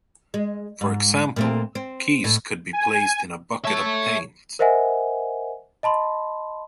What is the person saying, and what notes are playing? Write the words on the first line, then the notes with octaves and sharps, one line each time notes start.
For example, keys could be placed in a bucket of paint.
G#3
G#2
A#2 A3 C4
C4
A2 A4
G#5
C#5 E5 A5
A#4 C5 D#5 E5 F#5 G#5
D#5 A5 B5 C6